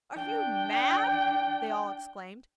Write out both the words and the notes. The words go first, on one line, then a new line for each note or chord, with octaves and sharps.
'Are you mad?' they all exclaimed.
D4 G5